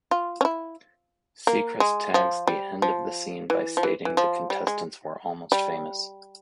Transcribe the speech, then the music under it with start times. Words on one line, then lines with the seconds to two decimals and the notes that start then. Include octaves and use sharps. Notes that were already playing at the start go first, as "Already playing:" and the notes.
Seacrest tags the end of the scene by stating the contestants were almost famous.
0.11 F4
0.41 C#4
0.45 E4
1.47 A#3
1.80 G#3
2.14 F3
2.47 G3
2.82 F3
3.50 E3
3.77 F3
3.83 E3
4.05 E3
4.17 F3
4.50 G3
4.67 G#3
5.52 G3